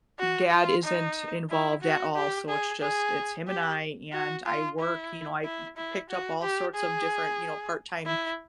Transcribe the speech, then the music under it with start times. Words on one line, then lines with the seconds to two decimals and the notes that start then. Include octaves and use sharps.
dad isn't involved at all, so, it's just it's him and I, and I work, you know I picked up all sorts of different, you know, part time
0.19 F#4
0.51 F4
0.84 D#4
1.50 E4
1.82 F#4
2.15 G4
2.49 G#4
2.81 G#4
3.47 G4
4.13 F#4
4.46 F4
4.79 E4
5.44 E4
5.77 E4
6.10 F#4
6.42 G4
6.75 G#4
8.06 E4